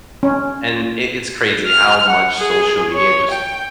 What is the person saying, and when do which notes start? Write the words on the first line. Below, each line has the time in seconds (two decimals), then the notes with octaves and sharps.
and i it's crazy how much social media just
0.23 C#4
1.67 F6
2.08 F#5
2.38 G#4
2.93 C#5
3.31 G5